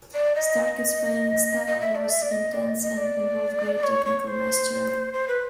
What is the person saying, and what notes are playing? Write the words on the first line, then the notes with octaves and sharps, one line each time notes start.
Starker's playing style was intense and involved great technical mastery.
D5
D#5
D#5
E5
D5
E5
D5
D#5
D5
D#5
D#5
D5
C#5
C#5
C5
C5
B4